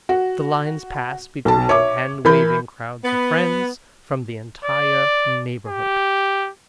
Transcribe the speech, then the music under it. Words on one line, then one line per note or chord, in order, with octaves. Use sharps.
The lines pass between hand-waving crowds of friends from the entire neighborhood.
F#4
B1 A5
C#5 E5 D6
E3 A#4 B5 G6
B3
D5
G4